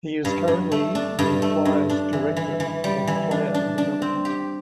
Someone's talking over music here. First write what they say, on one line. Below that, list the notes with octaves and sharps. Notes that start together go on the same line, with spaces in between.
He is currently the Flyers Director of Player Development.
G2
G2
A3
D4
G2
A3
G2
D4
E3
E3
E3
G3
E3
D4
D4
D4
C4
G4